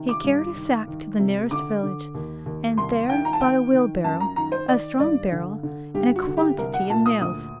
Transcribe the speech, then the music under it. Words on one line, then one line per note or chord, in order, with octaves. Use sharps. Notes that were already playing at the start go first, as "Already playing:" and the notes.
He carried his sack to the nearest village, and there bought a wheelbarrow, a strong barrel, and a quantity of nails.
Already playing: C3 D#3
D6
G2
D#3
D#3
C3
D3 D6
D3
D#2
D#2
C2 C6
D#3 G5
A#5
A5
D#3 G5
D#3
F#2 A5
A#5
D#3 A#5
C5
D#3 D5
G2 D5
D3
D3
G2 G4
F#4
D3
G4
C2 A#4
F#5
A#2 A5
D#6
D2 D#6